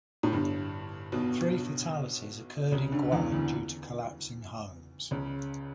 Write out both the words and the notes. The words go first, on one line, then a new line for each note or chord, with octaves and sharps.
Three fatalities occurred in Guane due to collapsing homes.
A2
G1 G2
B1 B2
C#2 C#3
D2 D3
E2 E3
D2 D3
C#2 C#3